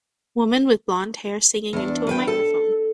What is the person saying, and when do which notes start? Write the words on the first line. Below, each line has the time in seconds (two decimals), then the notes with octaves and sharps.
Woman with blondhair singing into a microphone.
1.73 E2 D4
2.07 E2 B4 G5
2.27 A4